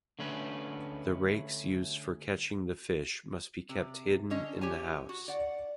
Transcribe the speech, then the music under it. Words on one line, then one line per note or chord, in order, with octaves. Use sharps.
The rakes used for catching the fish must be kept hidden in the house.
D3 A3 C#4 B4
C3
D3 C#4 D#5
G4 C#5 G#5
F#4
D5 F#5